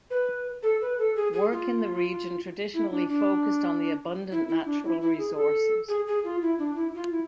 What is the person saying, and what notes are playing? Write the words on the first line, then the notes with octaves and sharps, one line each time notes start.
Work in the region traditionally focused on the abundant natural resources.
B4
A4
B4
A4
G#4
G#4
F4
E4
D4
D4
E4
E4
D4
E4
E4
G#4
A4
G#4
G#4
F4
E4
D4
E4
F4
E4